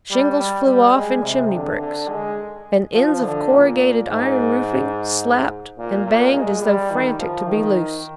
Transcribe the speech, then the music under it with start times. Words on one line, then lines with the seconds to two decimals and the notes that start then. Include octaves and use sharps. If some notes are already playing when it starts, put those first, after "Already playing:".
Shingles flew off and chimney bricks, and ends of corrugated iron roofing slapped and banged as though frantic to be loose.
0.11 G3
0.40 G3
0.67 G3
0.95 G#3
1.24 C3
1.52 D3
1.80 D3
2.09 G#3
2.94 F3
3.23 D3
3.51 A#2
4.08 G#2
5.78 A#2
6.06 A#2
6.35 G#3
6.63 G3
6.91 D#3
7.19 F3
7.48 D#3